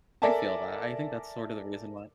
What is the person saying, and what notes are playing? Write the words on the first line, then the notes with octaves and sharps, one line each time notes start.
I feel that. I think that's sorta the reason why
A4 A#4 D5 E5 G#5 A5